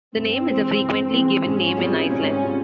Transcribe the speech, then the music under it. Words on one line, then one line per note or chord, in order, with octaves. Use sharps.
The name is a frequently given name in Iceland.
G2 C4
E3 G#3
G2
E3 G#3
G#2 C#4
G3 C4 F4 G#4
G#2 C#4
G3 C4 F4 G#4